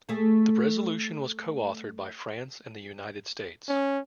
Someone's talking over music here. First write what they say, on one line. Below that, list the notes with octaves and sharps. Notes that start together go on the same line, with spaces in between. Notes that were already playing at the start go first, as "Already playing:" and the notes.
The resolution was coauthored by France and the United States.
A3 G#4
C#4